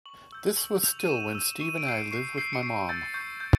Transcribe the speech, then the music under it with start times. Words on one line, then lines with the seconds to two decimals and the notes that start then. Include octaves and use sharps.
This was still when Steve and I lived with my mom.
0.06 C#6 F#7
0.32 E6 G6
0.57 C#6 F#7
0.83 E6 G6 F7
0.99 D#7
1.09 C#6 E7
1.35 E6 G6
1.60 C#6 D#7
1.78 D7
1.87 E6 G6 C7
1.94 C#7
2.11 C#6 C7
2.38 E6 G6 C7
2.53 C#7
2.63 C#6 C7
2.89 E6 G6 A6
3.14 C#6 G6
3.40 E6 G6